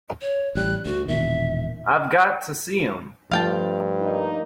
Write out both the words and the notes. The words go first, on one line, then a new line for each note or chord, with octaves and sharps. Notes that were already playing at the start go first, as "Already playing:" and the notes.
I've got to see him.
C#5
A1 G3 F#6
D2 F#4
E1 A#2 D#3 E5
G2 F3 A3 F4 F5 G5 A5
A#3 D#4